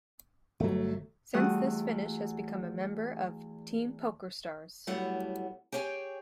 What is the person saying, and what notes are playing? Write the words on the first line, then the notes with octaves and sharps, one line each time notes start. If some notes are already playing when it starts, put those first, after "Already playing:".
Since this finish has become a member of Team PokerStars.
G1 F#3 A3
E2 G3 A3 F#4 F#5 D#6
A2 F#3 G3 A3 B3 F#5
G4 G#4 C#5 G5 G#5